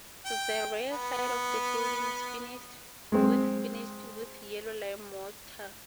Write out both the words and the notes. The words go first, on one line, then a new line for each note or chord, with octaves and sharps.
The rear side of the building is finished with finished with yellow lime mortar.
G5
B3
G#3 C4